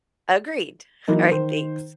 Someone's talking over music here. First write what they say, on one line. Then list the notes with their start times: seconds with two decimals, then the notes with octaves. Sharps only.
Agreed. Alright, thanks.
1.08 E3 F#3 A#3 D#4
1.31 D#3 C5